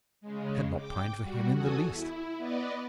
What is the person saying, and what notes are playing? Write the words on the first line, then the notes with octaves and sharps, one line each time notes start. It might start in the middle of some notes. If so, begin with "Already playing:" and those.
I had not pined for him in the least.
C#3 G#3
G5 D6
G3 F#4
E2 F#4 A4 G#5 D#6
E4
B3 B4 D5 D#5